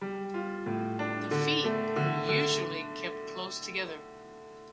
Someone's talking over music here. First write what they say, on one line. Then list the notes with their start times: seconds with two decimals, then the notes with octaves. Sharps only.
The feet are usually kept close together.
0.01 G3
0.34 F4
0.66 A2
0.99 D4
1.31 D3
1.64 A3
1.96 D3
2.29 D3